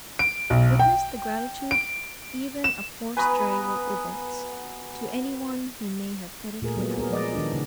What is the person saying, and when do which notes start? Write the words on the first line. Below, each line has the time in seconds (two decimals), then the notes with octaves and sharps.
Witness the gratitude even a poor stray will evince, to any one who may have fed it when hungry.
0.19 D7
0.50 B1
0.79 G5
1.71 D7
2.64 E7
3.17 B3 F#4 B4 G#5 A#5 B5
6.62 A#2 A3 G#4 A#4
6.76 F#3 B3
6.97 B3 G#4 A#4
7.11 F3 G#3 D5 D#5
7.35 D#3 D4
7.53 C#3